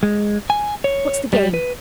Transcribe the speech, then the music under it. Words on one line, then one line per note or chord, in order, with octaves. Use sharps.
What's the game?
G#3
G#5
C#5
G3
B4